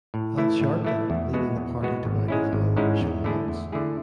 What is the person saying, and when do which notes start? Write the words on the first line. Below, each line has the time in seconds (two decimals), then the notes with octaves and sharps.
Al Sharpton, leaving the party divided along racial lines.
0.14 A2
0.37 E3 A3 E4
0.61 A2
0.85 E3 A3 E4
1.10 E2
1.33 B2 G#3 B3 F#4
1.56 E2
1.81 B2 G#3 B3 F#4
2.05 G#1
2.28 G#2 G#3 C#4 E4
2.53 G#1
2.77 G#2 G#3 C#4 E4
3.01 E2
3.24 D3 A3 E4 G#4
3.48 E2
3.72 D3 A3 E4 G#4